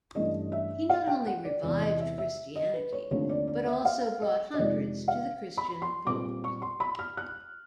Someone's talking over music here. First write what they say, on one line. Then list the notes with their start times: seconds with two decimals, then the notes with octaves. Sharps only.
He not only revived Christianity but also brought hundreds to the Christian fold.
0.15 G2 E3 A3 C#4 D#5
0.52 E5
0.90 F5
1.08 G5
1.27 F#5
1.45 D5
1.63 E2 C3 E3 D5
1.81 D#5
2.00 E5
2.18 E5
2.55 D#5
2.74 B4
2.92 C#5
3.11 D#2 D3 F3 A3 C4 C#5
3.29 D5
3.47 D5
3.66 E5
3.85 F5
4.22 D#5
4.54 D#5
4.58 F2 C3 D#3 G#3 D5
5.08 F5
5.57 B5
5.82 C6
6.06 A#2 G3 C4 D6
6.44 C#6
6.62 C6
6.80 B5
6.99 F6
7.17 F#6